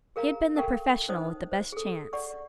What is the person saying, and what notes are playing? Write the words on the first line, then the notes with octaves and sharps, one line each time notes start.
He had been the professional with the best chance.
G#4 A#4 F5 A#5
A4 A#4 F5 G5 C#6
C#4 D#4 C5 D#5 D#6
C5
G#4 A4
D5 F#5 C#6